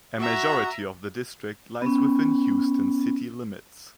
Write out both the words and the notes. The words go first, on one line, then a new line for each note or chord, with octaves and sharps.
A majority of the district lies within Houston city limits.
F#4 E5 A#5
B3 C#4